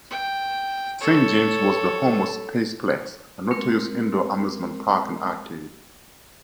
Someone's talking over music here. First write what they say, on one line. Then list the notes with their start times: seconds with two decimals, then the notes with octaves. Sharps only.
Saint James was the home of Spaceplex, a notorious indoor amusement park and arcade.
0.11 G5
1.01 A4 C#5
3.51 G#3 C4 A#4 C6